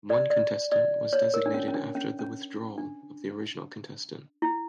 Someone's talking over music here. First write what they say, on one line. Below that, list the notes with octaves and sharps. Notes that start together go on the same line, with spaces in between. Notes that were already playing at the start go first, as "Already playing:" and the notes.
One contestant was designated after the withdrawal of the original contestant.
D5
D5
D5
C#5
A#4
D4
C#4
C#4
D4
C#4
C#4
D4
E4